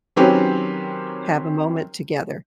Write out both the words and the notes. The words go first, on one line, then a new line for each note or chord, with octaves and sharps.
have a moment together.
D#3 F#3 C4 C#4 G4 B4